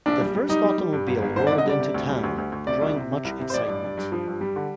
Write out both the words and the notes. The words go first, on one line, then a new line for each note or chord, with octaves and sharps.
The first automobile rolled into town, drawing much excitement.
A#1 D4
G3
G3
G3 D#4
G3
G3
G2
G1
G1
D3 C5
D5
D3
D#5
G3 D5
C3
D2
G3
D2
D2
D2
C3 D5
C2
C3
C3
C2
C3
C5
A1 D5
G2
G2
G2
F3
G2
G3
D3